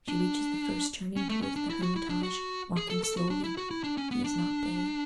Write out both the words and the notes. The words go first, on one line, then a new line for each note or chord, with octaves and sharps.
She reaches the first turning towards the Hermitage, walking slowly--he is not there.
D4
C#4
A3
C#4
D4
E4
F#4
E4
D4
F#4
G#4
A4
A4
F#4
D4
E4
F#4
E4
D4
C#4
B3
D4